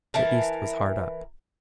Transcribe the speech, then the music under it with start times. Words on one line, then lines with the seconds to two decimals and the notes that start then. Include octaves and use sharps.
The East was hard up.
0.14 E3 A#4 A5